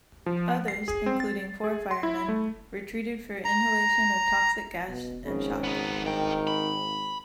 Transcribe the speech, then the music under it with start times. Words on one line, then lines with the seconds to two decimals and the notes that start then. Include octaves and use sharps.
Others, including four firemen, were treated for inhalation of toxic gas and shock.
0.26 F3
0.68 C7
0.88 G#4
1.06 C4
1.20 A6
1.64 G#4
1.91 C6
2.03 E4
2.29 A3
3.45 A#5
4.89 B2
5.26 G#1 C#3
5.64 B3 D#4
6.05 G2 D#3 G5
6.47 B5